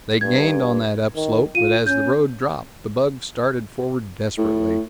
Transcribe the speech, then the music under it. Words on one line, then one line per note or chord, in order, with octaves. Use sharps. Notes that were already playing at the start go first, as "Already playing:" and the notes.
They gained on that upslope, but as the road dropped, the bug started forward desperately.
G2 G#6
D#3
F4 D#7
C#4 G6
A2